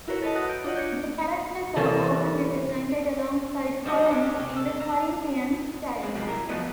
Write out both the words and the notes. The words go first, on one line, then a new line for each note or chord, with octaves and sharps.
The characters are often represented alongside columns in the Corinthian style.
E4 F#4 A#4 B4 C#5
A4 B4 D#5 A5
F#5 A5 D#6 F#6 A#6
G6 D7
D4 F4 C#5 D#5 F#5
G6 G#6 C#7
C3 E3 G3 A#3 A4
G3 D#4 F#4 D#5
C#4 D4 G4
C3 C#4
A4
A#5
G#3 C4
F#2 C3 F3 G#3 G4
E4 A#4
F3 A3 B3 F#4 G4 D#5